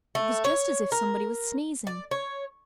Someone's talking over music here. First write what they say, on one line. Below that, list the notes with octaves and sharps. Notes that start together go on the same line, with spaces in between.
It was just as if somebody was sneezing.
A3
C#5
A#4
D5
C#5